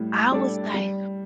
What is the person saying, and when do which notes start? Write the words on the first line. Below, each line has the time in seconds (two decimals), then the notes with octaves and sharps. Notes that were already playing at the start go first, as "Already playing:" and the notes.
I was, like
Already playing: A2 G3
0.32 G3 D4 A4 D5
0.74 G3